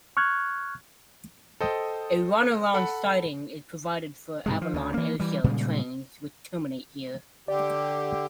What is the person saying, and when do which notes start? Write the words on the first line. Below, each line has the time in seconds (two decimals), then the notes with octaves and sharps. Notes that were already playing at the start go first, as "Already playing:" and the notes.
A Run around siding is provided for Avalon Airshow trains which terminate here.
0.17 C#6 F6 F#6 G#6
1.60 A4 C5 D#5 G5 D#6
2.74 A4 F#5 B5
4.46 G#2 C3 G#3
4.61 F3
4.74 D2
4.94 E3 A#3
5.20 E3 G3
5.44 A#2 C#3 G3 G#3
7.48 D3 G4 D5